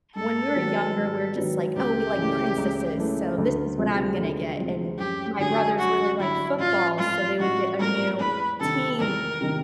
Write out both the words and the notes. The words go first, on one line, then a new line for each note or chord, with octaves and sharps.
When we were younger, we're just like, "Oh, we like princesses, so this is what I'm gonna get," and my brothers really liked football, so they would get a new team
G#2 A4
D#3 F#3 B3
G#2
D#3 F#3 B3
C#2 G4
C#3 E3 A3
C#2
C#3 E3 A3
D2
C3 F3 G#3 C4
D2
C3 F3 G#3 C4
F#2 G4
D3 F#3 G#4
F#2 F#4
D3 F#3 E4
A1 F4
G#2 F3 A3 C4 F4
A1 F#4
G#2 F3 A3 C4 A#4
E2 B4
C3 D#3 A4
E2 A#4
C3 D#3